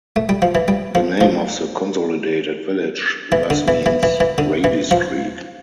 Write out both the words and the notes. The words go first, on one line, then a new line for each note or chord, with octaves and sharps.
The name of the consolidated village, thus means "Radi's Creek".
A3
G3
F3
E3
G3
F3
F3
E3
D3
E3
E3
E3
E3
D3
E3
F3